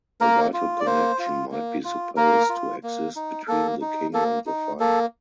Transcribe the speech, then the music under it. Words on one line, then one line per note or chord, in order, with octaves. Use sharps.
A vital connection might be supposed to exist between the king and the fire.
A#3 A#4
F4
D5
A#3 C5
F4
A#3
F4
A#3 A#4
F4
A#3
D#4
A#3 A4
D#4
A#3 A4
D#4
A#3 A4